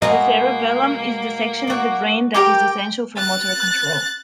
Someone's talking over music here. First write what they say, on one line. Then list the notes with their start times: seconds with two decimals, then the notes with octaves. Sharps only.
The cerebellum is the section of the brain that is essential for motor control.
0.02 B2 G#3 A#3 B3 A#4 D#5
1.67 F#4 D5
2.34 G4 A#4 G5 D6
3.18 F#6 A6